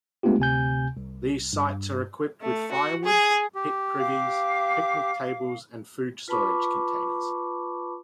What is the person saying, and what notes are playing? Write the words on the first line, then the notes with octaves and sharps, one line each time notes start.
These sites are equipped with firewood, pit privies, picnic tables and food storage containers.
G#3 A3 B3 D4 F4 G4
D2 C3 G#5 G6
C2
G2
A3
F#4
G#4
G4
F5 D6
F4 B4 A5 B5 C#6 D6